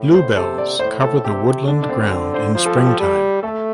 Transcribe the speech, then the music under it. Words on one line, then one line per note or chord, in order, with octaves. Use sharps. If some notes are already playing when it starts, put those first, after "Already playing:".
Bluebells cover the woodland ground in springtime.
Already playing: A2
C5
C3 A4
D5
A2 C5
A4
C3 G4
D3 D4
D4
C4
C4
C5
F3 C5
A4
G4
A4
G3
A3 A4